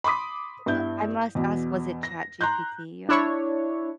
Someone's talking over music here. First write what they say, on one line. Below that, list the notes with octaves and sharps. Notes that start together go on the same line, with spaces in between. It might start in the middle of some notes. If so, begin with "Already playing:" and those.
B but I must ask, was it Chat GPT you asked?
B5 C6 D6 D#6 B6
G2 B3 E4 G6
E2 B2
A#6
A#5 C6 F#6 G6
D4 E4 C#5